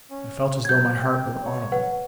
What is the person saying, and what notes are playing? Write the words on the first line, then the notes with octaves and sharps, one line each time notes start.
I felt as though my heart were audible.
C#4
F#3 G6 G#6
G5
C#5
B4 F#5